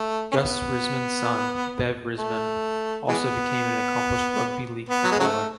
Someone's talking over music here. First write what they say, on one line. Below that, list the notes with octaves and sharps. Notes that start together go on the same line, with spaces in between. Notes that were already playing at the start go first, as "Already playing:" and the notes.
Gus Risman's son, Bev Risman also became an accomplished rugby league footballer.
Already playing: A3
C#4
B3
A3
E3 G#3 B3
B3
F#3
G#3
C#3 F#3 A3